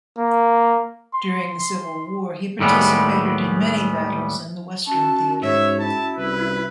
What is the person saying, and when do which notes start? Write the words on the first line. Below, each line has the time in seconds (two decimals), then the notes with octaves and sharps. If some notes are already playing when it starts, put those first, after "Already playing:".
During the Civil War, he participated in many battles in the Western Theater.
0.17 A#3
1.14 C6
2.59 D#2 A2 G3 G#3 B3
4.87 C#4 F#4 A5
5.43 G#2 C#5 E5
5.80 E4 A5
6.18 C2 B4